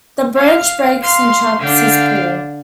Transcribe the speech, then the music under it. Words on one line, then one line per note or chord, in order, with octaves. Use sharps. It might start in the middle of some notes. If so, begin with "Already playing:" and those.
The branch breaks and traps his paw.
F5
F5 C6
D3 D4 F5 G5